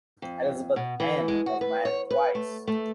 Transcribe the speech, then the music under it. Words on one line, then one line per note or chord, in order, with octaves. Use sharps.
Elisabeth-Anne was married twice.
F2
B2
E3
G#3
F#4
B4
C#5
B4
A3
A3